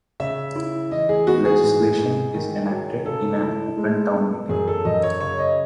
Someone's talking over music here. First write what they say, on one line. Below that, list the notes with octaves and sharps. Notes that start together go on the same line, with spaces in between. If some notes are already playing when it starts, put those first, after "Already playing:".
Legislation is enacted in an Open Town Meeting.
C#3 E5
E4
E3 D#5
G#4
B3 F#4
G#4
G#2
G#2
D#3
F#3
C#3 A4
E4
G#3
B3
F#2 G#4
A4
F#2 D#5
C#5
C#3 C#5
D#5